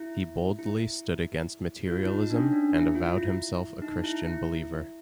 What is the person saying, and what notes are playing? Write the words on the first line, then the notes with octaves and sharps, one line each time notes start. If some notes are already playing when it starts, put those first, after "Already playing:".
He boldly stood against materialism and avowed himself a Christian believer.
Already playing: E4
E4
F4
D#4
D#4
D4
C#4
D4
E4
F4
E4
D#4
E4
E4